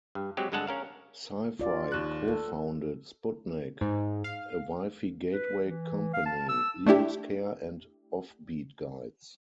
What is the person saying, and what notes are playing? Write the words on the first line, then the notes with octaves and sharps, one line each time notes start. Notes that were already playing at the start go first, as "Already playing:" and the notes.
Sifry cofounded Sputnik, a Wi-Fi gateway company, Linuxcare, and Offbeat Guides.
G2
F#3 G#3 C4 G4
G2 D3 G#3 A4 F#5 A5
C#4 A#4 F5
F4 D5
D#2 F#6
A4
G#2
F5
B4
E3
F5
A5
E6
A3 D4 E4 G4